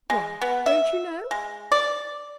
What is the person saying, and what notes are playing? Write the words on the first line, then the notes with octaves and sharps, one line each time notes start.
'Why don't you know?
G#3
B3
E5
G#3
D5